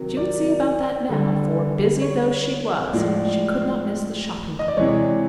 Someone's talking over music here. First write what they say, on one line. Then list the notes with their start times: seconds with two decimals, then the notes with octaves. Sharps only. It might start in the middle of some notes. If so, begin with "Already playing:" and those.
She would see about that now, for, busy though she was, she could not miss the shopping-parade.
Already playing: C3 D#3 F#3
0.17 D5
1.09 D3 G3
2.02 C#5
2.93 A2 F3 G#3 D5
4.59 D#5
4.68 D5
4.77 C3 E3 G#3 C#5